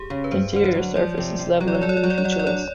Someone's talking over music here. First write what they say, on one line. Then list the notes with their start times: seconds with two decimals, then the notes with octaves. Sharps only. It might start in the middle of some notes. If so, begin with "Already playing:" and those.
The interior surface is level and nearly featureless.
Already playing: G4 G#4
0.10 C#3 G4
0.24 B4
0.31 G2 C5
0.53 D3 C5
0.64 C#5
0.75 F#3
0.96 F3 D5
1.17 C3
1.39 C3
1.60 F#3 C#5
1.68 D5
1.75 C#5
1.81 A4 D5
1.89 C#5
1.97 D5
2.03 F#3 C#5
2.10 D5
2.18 C#5
2.24 F#3 D5
2.33 C#5
2.39 D5
2.46 D4 C#5